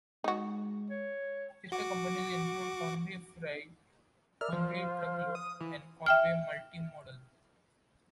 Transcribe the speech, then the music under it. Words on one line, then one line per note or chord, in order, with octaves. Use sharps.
Sister companies include Con-way Freight, Con-way Truckload, and Con-way Multimodal.
G#3 D#4 F#4
C#5
F#4 D6
A#4 D5 E5 F6
F3 C5 F5
D#6
E3
E5 G5 F6